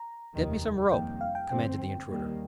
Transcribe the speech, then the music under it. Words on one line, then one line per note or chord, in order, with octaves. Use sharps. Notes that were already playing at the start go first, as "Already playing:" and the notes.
"Get me some rope," commanded the intruder.
Already playing: A#5
F1 D#2 D#3
F1 F2 D#3 G3 A#3 G5
F5
G5
G2 D3 A3 C4 G5
D#2 D#3 G3 A#3